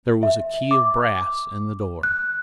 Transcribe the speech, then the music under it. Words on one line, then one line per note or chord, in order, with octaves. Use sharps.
There was a key of brass in the door.
E5
D6
F#6